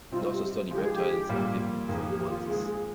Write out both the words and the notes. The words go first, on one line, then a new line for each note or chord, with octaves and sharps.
He also studied reptiles, amphibians, and molluscs.
C3 G3 C4 D#4 F4
G4
D3 F3 G#3 D#4 G4
G#4
G4
A#2 G3 A#3
F2 D#3 A#3 G#4
G4
F4
D#3 G#3 C4 F4 G#4
G#4